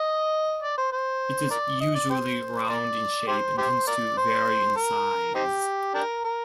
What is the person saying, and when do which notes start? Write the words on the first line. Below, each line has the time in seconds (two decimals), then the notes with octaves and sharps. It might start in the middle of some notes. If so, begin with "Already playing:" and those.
It is usually round in shape and tends to vary in size.
Already playing: D#5
0.62 D5
0.77 C5
0.92 C5
1.50 A#4 D5
1.80 D#5
1.95 D5
2.10 G4 C5
2.69 A#4 D5
3.28 G4 C5
3.58 G4 C5
3.87 A#4 D5
4.17 C5
4.76 A#4
5.35 C4 D#4 G4
5.94 D4 G4 A#4
6.24 A#4